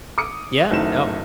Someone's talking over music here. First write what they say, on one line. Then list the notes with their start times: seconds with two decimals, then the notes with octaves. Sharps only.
Yeah, no.
0.18 D6 D#6 C#7
0.71 F#1 D#3 F#3 A3 E4 E7